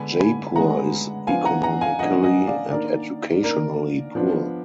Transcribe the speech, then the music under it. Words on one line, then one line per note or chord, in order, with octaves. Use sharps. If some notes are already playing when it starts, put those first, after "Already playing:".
Jaipur is economically and educationally poor.
Already playing: D3 G#3 B3 D4 G#5 B5
G#5 B5
D3 G#3 B3 D4 F#5 A#5
F3 B3 D4 F5 G#5
F#5 A#5
F#5 A#5
F5 G#5
F3 B3 D4 D#5 F#5
D#5 F#5
D5 F5
D#3 A#3 D4 A#4 D5
D#3 A#3 D4 A#4 D5
F3 B3 D4